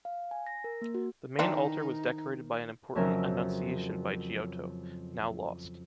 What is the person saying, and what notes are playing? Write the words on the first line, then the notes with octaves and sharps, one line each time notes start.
The main altar was decorated by an important “Annunciation” by Giotto, now lost.
F5
G#5
A#6
A#4
A#3
F#4
D#3 E3 C4 D4 D#4
F2 C#3 F#3 C#4 A#4 E5